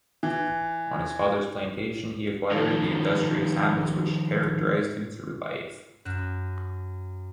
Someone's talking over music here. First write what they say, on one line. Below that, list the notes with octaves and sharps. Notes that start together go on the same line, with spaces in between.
On his father's plantation he acquired the industrious habits which characterized him through life.
E3
D#3 F3 D#4 G4 A4
F#2 F#6 E7